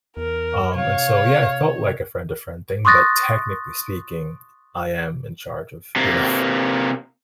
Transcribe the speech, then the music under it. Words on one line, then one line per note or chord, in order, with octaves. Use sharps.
Um, and so yeah, it felt like a friend-to-friend thing, but technically speaking, I am in charge of, you know
E2 A#4
C3 C#5 F5
C6 C#6 D#6 F#6 A6 A#6
C3 A#3